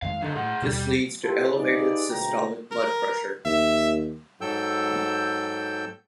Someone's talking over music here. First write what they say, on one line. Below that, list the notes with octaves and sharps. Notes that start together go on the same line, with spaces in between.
This leads to elevated systolic blood pressure.
F2 D#3 G#3 F5
D3 F#3 D4 A4
A2 G#4 F#5
D#2 B2 G3
E4 F4 G4 A4 B4 C5
D#4 F4 G4 G#4 B4 D5
D2 G#2 B2 G5 A#5
A#4
D#2 E5
G#2 F#3 A4 G5 E6 G6